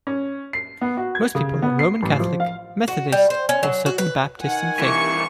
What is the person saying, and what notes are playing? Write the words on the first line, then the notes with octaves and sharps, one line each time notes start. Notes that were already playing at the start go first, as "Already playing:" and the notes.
Most people are Roman Catholic, Methodist, or Southern Baptist in faith.
C#4
C7
B3
F#4
G#6
C#3
B3
C7
A1
F3
F5
F#4
G3
C5
C#4
F#3
F#4
B4
D#3 F#5 G#5
C2 E3 C#6